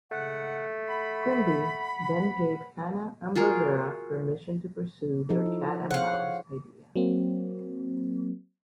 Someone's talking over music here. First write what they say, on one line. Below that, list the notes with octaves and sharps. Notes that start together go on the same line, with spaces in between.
Quimby then gave Hanna and Barbera permission to pursue their cat-and-mouse idea.
G#2 C#3 A3 F#5
F#5 B5
F4 F#4 G#4 A#4
F3 D#4 A4
E4
G#4 C5 C#5 F5 F#5
C#5
F#3 A#3 C4